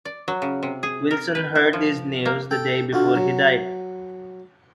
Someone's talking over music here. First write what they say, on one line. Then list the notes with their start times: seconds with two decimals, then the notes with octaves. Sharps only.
Wilson heard this news the day before he died.
0.05 D5
0.28 F#3
0.42 C#3
0.63 C3
0.83 G#4
1.11 A#4
1.35 B4
1.55 E4
1.73 F3
2.26 A#3
2.51 A4 G5
2.93 D3 F4 F#4
3.15 F#3